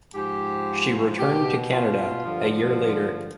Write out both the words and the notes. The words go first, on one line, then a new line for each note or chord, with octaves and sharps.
She returned to Canada a year later.
G#2 F3 G4
B2 G4
F4
G2 D3 F3